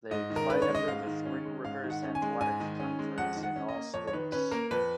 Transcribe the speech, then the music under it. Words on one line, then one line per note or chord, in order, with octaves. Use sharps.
They play under the Three Rivers Athletic Conference in all sports.
G#2 D#5
D#3
A#4
C#4 B4
C#5
G#3
D#5
G#2 F5
D#3
C#4
G#3
G#2 F5
D#3
F#5
C#4
G#5
G#3
G#2 G#5
D#3
C#4
G#3
F2 F#5
D#3
F#5
C#4
D#5
A#3
F2 C#5
C#5
D#3 B4
C#4 B4
A#3 A#4
F2 B4